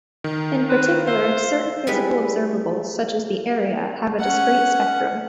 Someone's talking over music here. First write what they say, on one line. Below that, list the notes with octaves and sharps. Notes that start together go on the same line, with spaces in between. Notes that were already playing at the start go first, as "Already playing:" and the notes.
In particular, certain physical observables, such as the area, have a discrete spectrum.
D#3
C4 B4
C5 E5 F5
G3 G#3 B3 E4 B4
C#4 F#5